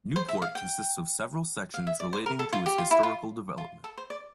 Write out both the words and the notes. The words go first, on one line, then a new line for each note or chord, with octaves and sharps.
Newport consists of several sections relating to its historical development.
C5
E5
F5
G5
F5
E5
D5
C5
A#4
A4
F4
G4
F4
E4
F4
F4
A4
C5
D5